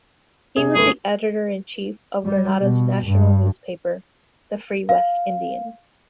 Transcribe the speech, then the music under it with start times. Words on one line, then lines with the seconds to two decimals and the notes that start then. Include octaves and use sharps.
He was the Editor in Chief of Grenada's national newspaper "The Free West Indian".
0.56 C3 G#4
0.75 G1 A3 G#4 B4
2.25 G3
2.60 B2
3.04 G2
4.89 F5